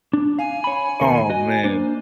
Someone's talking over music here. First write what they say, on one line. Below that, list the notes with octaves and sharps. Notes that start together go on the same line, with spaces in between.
Oh, man.
D4
F5 G#5
C#5 B5
D#2 A#4
F#4 D#5
A#3 D4 C5